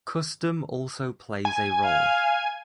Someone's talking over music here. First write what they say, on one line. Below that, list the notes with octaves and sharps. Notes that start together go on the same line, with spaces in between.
Custom also plays a role.
G#5
F5